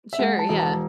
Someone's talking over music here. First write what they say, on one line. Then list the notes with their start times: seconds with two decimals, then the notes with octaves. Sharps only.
Sure, yeah.
0.13 E5
0.19 G#3 F#5
0.39 A5
0.49 E1
0.60 A5